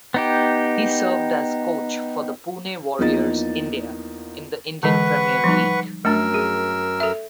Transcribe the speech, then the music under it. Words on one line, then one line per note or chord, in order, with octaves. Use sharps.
He served as coach for the Pune Warriors India in the Indian Premier League.
B3 D#4 G4
E2 F3 A#3 D#4 A6
D3 E3 G#3 B4 F#5 C#6
F3 G3 D#4
F#2 A3 D4 A#4 E6
G#4
A4 E5